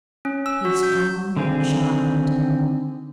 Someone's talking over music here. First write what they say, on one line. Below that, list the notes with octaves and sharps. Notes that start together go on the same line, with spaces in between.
His own child!
C#4
E6
F#4
G6
D3 D#3 C4 G#4 F5